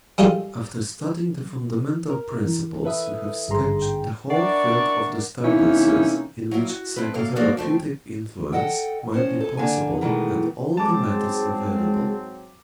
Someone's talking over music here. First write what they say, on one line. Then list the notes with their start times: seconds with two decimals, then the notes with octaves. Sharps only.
After studying the fundamental principles, we have sketched the whole field of disturbances in which psychotherapeutic influence might be possible and all the methods available.
0.18 G3 G#3 D#4 F4 A4
2.10 A#4
2.45 E3
2.84 A4 B4 E5 D#6
3.48 G#1 G2 D3 G#4 A#5 C6
3.82 G5
4.30 D4 A#4 D5 E5 F#5 C#6 C7
5.44 C3 E3 A#3 C#4 D#4 E4
6.51 F#3 A#3 E4 F4
6.69 F#4
6.96 A3 C4 B4
7.14 C#3 F#3 A#3 E4 A4 F5
7.36 B2 F3 F#3 A#3 F#4 D5
7.57 F3 A3 C4
8.53 A4 D#5 F#5 G5
9.12 A2 C#4 C5
9.40 A4 G#5
9.57 D3 A#3 G#5
10.01 B2 D#3 E3 G#3 A3
10.77 G#2 F#3 G#3 C4 A5 D6